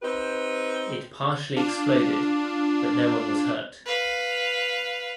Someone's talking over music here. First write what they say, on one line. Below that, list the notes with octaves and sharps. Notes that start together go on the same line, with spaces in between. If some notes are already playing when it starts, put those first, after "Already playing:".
It partially exploded but no one was hurt.
C4 D#4 G4 B4
D4 F4
B4 F5